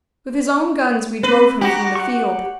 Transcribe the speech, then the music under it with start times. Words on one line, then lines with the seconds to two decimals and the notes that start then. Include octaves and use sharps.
With his own guns we drove him from the field.
1.23 C4 B4
1.61 F#4 G4 A#5 B5
1.95 F#5 C#6